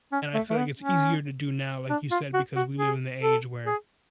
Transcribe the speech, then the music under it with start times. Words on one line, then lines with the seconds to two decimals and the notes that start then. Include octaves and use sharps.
And I feel like it's easier to do now, like you said, because we live in the age where,
0.12 C#4
0.34 A3
0.50 A3
0.57 B3
0.79 C#4
1.90 D4
2.11 F4
2.34 F#4
2.56 F#4
2.78 G#4
3.22 A4
3.66 G#4